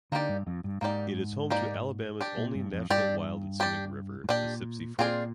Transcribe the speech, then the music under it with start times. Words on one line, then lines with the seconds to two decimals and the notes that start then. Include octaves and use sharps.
It is home to Alabama's only National Wild and Scenic River, the Sipsey Fork.
0.12 D3 A#3 D#4 G4 D5
0.29 G2
0.47 F2
0.64 G2
0.81 G#2 A#3 D#4 G4 D5
1.50 A#3 D#4 G4 D5
2.21 D4 G4 D5
2.37 A#2
2.55 G2
2.72 F2
2.90 G2 D4 G4 D5
3.60 D4 G4 D5
4.24 G#2
4.29 A#2 D4 G4 D5
4.98 A#2 C4 F4 G#4 D5